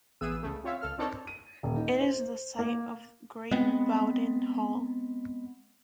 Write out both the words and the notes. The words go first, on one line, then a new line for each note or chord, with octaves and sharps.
It is the site of Great Bowden Hall.
A1 E3 B3 G#4 E6 D#7
C#2 C#3 A3
C4 F4 C#5 E5 F5
C#2 A4 F6
C4 D4 D#4 A4 A#4 C#5
D#7
D#1
D#4
C5
A#3
G#3 B3 C4